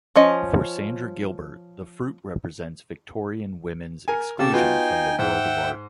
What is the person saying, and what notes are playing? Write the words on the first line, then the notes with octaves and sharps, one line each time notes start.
For Sandra Gilbert, the fruit represents Victorian women's exclusion from the world of art.
F3 C#4 D#5
A#4 G#5
C#3 G4 A4 E6
B3 D#4 F4 F#4 G5 G#5
G#2 E5 F#5 G5